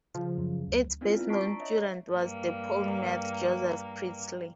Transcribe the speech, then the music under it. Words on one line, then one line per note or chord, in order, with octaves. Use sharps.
Its best-known student was the polymath Joseph Priestley.
C#3 F3
F#2
D2
B3 C4 D4 E4 F4
A5 C#6 B6 C7 D7
D4 A#5
C#5 D#5 E5
G2 A#3